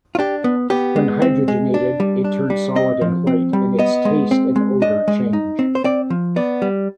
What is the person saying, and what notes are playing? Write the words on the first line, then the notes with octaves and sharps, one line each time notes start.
When hydrogenated, it turns solid and white and its taste and odor change.
F4
D4 G4
B3
B3 G4
G#3
C4
G#3
D4
G3
D4
G3
C4 D#5
F3
C4
G3
B3 D#5
G#3
C4
G#3
D4 D#5
G#3
D#4
C4
C5
C4 D5
F3
B3 D5
G3